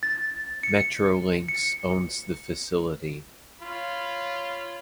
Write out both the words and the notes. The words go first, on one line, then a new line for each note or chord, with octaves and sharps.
Metrolinx owns the facility.
A6
C#7
C#7
F4 C#5 B5